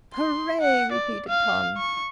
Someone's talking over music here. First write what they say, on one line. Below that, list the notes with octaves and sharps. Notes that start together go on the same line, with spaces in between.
"Hooray!" repeated Tom.
C6
F#5
D5
F5
C#6